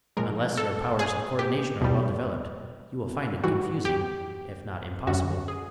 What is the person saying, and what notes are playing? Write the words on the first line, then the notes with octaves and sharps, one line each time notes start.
Unless your powers of cooerdination are well developed you will find it confusing, if not impossible.
A#2 F3 G#3 A#4
A4
G#4
G4
E2 B2 G3
G#2 E3 G3 F#4
G4
F#2 D3 G3 F#4
G#4